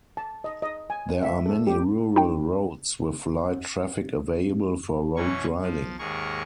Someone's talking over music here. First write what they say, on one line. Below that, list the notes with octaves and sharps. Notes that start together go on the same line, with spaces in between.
There are many rural roads with light traffic available for road riding.
A5
D#5
D#5
G#5
E5
A4
G4
D#4 G5
B2 E3 C#4 C#6
F3
D#2 G#2 G#4 A#4 C#6